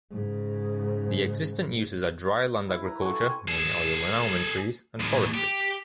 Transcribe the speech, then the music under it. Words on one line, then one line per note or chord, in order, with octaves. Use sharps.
The existent uses are dry land agriculture, mainly olive and almond trees, and forestry.
G#2 C#3
E4
B4 A#5
F#4 A4 G#5 C#6
C4 G#5
G#4 A4
D#2 A2
G4